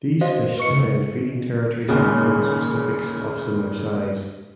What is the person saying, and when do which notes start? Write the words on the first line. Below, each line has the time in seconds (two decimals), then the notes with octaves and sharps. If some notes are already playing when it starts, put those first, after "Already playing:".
These fish defend feeding territories from conspecifics of similar size.
0.21 F#4 C5 D#5 F5
0.58 B4 C#6 C#7
0.70 C#3 A3
1.89 D#2 A#2 C#3